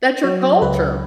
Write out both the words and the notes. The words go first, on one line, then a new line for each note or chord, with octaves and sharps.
that's your culture.
F#3 C#5
C#2 B4